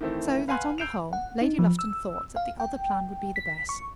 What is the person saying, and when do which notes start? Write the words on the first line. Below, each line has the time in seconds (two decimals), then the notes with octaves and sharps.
So that on the whole Lady Lufton thought that the other plan would be the best.
0.01 D#3 E3 A3 C4 E4
0.48 B4 F5 F#5 G#5 C6 F#6
0.78 E6 G6 C7 D7 E7 F7
1.13 F#5
1.41 D#4
1.59 F3
1.79 E6
2.36 F5
2.60 G5
3.36 B6
3.69 C#6